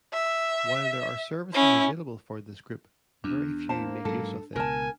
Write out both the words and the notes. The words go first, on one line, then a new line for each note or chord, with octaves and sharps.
While there are services available for this group, very few make use of them.
E5
C#4 E4
E2 D4
A#3 C5 A5
G#2 F#3 A4
C#2 B2 A#4 G#5 A5